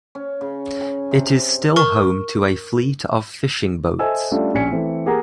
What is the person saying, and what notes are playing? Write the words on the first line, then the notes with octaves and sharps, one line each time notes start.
It is still home to a fleet of fishing boats.
C#4
C#3
G#5
C3
A#4 C#6
A4 C5 D#5 E5 G#5 E6
G3 A3 C#4 D4 F4
A#1 C#4 D4 G#5 B6 C#7
E3 A3 C4
A#3 G4 G#4 A#4 F#5 A#5